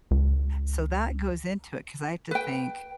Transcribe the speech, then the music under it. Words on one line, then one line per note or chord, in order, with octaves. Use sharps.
So, that goes into it, 'cause I have to think,
C#2
B4 G5